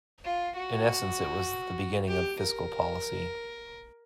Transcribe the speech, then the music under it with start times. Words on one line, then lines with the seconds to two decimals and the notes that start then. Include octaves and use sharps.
In essence, it was the beginning of fiscal policy.
0.25 F4
0.55 F#4
2.08 G4
2.39 A#4